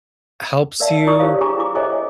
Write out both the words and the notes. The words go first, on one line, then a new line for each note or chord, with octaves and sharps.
helps you
A#4 B4 D5 E5 F5 A5
E4 A#4 D5 C#6 D#6
E4 G4 C5 C#5 F5
D4 G#4 G#5 A#5 C#6 D6
E4 D6
A4 C5 C#5 D#5 E5 G#5